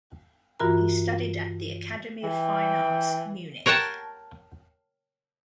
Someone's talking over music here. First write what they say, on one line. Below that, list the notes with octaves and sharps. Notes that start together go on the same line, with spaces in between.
He studied at the Academy of Fine Arts, Munich.
G2 E3 F4 F#4 A#4 A#5
E3 G5
A#4 C#5 F#5 G5 A5